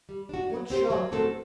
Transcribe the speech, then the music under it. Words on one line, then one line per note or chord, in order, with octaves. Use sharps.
"What shocked her?"
G3
D4 F#4
F#3
C4 G4 C5
F#3
A3 C4 F#4 A4